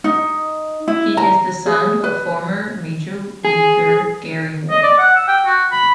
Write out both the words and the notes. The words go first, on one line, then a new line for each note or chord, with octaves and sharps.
He is the son of former major leaguer Gary Ward.
D#4
E4
A#5
G#4
B4
G#4
D#5
D5
F#5
E6
G5
F#4
B5